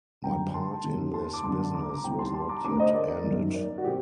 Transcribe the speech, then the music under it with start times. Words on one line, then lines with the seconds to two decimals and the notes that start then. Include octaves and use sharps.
My part in this business was not yet ended.
0.24 F#2 D3 G5 A#5
0.54 A5 C6
0.84 D#2 D#3
1.14 A5 C6
1.34 D6
1.44 F#2 A5 C6
1.48 D3
1.74 A#5 D6
1.89 A#5 D6
2.04 C2 C3 D#3 G5 A#5
2.19 A5 C6
2.34 A5 C6
2.49 A#5 D6
2.64 D3 A#5 D6
2.67 D2
2.79 C5 D#5
2.94 A#4 D5
3.24 F#2 D#3
3.54 A#4 D5
3.78 F#4
3.84 C3 G4